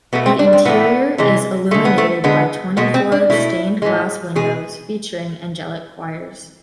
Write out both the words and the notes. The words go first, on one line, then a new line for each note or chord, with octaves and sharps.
The interior is illuminated by twenty-four stained glass windows featuring angelic choirs.
B2 A3 B3
C4
D4
C4
A2 E3 A3 B3
C3 E3 G#3
D3 G#3 A3
B3
A3
D3 G#3 B3
B2 G#3 B3
C4
D4
B2 A3 E4
A2 E3 G#3
B2 G#3 G#4